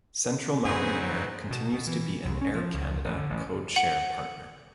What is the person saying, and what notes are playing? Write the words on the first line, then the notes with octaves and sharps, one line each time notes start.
Central Mountain Air continues to be an Air Canada Code Share partner.
F#2 D3 F#3 B3 C4 D#4 G#4 B4
B2
B2
E3
C2
C#4
F3
C#2
A1
D3
A1
F#5